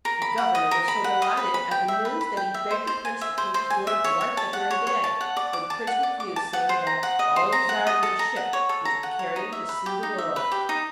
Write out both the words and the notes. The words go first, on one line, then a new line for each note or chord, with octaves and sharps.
The governor was so delighted at the news that he begged the prince to take his daughter to wife that very day; but the prince refused, saying that all he desired was a ship which would carry him to see the world.
A#4
B5
F#5
D#5
A#4
B5
F#5
D#5
B4
B5
G5
E5
B4
B5
G5
E5
C5
C5
G#5
E5
C5
C5
G#5
E5
C#5
C#5
A5
F#5
C#5
C#5
A5
F#5
D5
D6
A5
F#5
D5
D6
A5
F#5
C5
A#5
F#5
D#5
C5
A#5
F#5
D#5
A4
A#5
F#5
C#5
A4
A#5
F#5
C#5
D#4
E5
B4
G4
D#4
E5
B4
G4
D#4